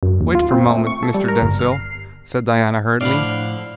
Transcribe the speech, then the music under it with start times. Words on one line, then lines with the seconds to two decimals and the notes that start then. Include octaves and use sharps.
"Wait for a moment, Mr. Denzil," said Diana hurriedly.
0.03 F#2
0.21 D#2
0.35 F4
0.51 C4
0.70 A3
0.87 C#6
1.03 A4
1.14 G3
1.28 A#4
1.42 G1
1.59 F6
1.72 C7
3.01 A2 D3 F3 D4 D5 F5 B5